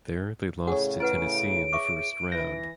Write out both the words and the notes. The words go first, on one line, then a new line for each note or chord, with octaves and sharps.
There they lost to Tennessee in the First Round.
A2 C#3 G#4 C#5 F#5
E4 B4 F#5 D7
E5 C#6 D6
E3 A#6